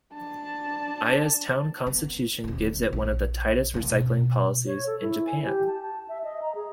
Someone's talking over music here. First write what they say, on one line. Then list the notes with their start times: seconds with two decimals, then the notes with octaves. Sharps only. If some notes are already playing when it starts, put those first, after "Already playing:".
Aya's town constitution gives it one of the tightest recycling policies in Japan.
0.13 D4 A5
1.87 B3
2.44 D#1 D2
2.93 A#1
3.74 C#3 A#3
3.90 B2
4.66 C#5
4.86 A4
5.02 E4
5.27 G#5
5.45 G4
5.67 A5
5.82 A5
6.08 E5
6.24 D#5
6.42 A#5
6.55 G#4